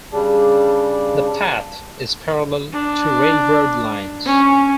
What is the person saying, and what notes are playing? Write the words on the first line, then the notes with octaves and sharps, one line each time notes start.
The path is parallel to railroad lines.
C#3 G3 D4
D4
C#4